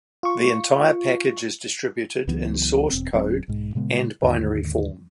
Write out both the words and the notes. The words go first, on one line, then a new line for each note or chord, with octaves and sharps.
The entire package is distributed in source code and binary form.
F4 C#6
C#2 E3 F#3 B3
E1 C4
D1 F#3 C4 C#4
B1 G#2
A#2 C#3 G#3 B3
D#2 G#2 D3 D#3